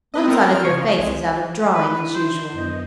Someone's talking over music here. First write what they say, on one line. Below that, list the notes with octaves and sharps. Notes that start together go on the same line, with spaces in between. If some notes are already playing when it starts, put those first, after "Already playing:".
One side of your face is out of drawing, as usual.'
C4 B4 D#5
B3 C4 A4 A#4
F2 F6
C#3 F3 C#5
C2 G#3
D4 E4 B4
C5
F#2 B3 D#5